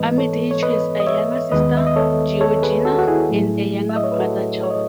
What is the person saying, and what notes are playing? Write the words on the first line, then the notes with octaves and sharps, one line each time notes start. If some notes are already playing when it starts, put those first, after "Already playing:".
Armytage has a younger sister, Georgina, and a younger brother, Charles.
Already playing: G#2 E3 G#3 B3 B4 D#5
A4 C#5
C#5
B4 D#5
D#5
C#5 E5
D#2 D#3 G#3 B3 B4 D#5
E5
D#5
A4 C#5
A4 C#5
G#4 B4
F#4 A4
F#4
E4 G#4
A2 F#3 A3
E5
D#5
C#5
B4
F#4 A4
C#5
D#5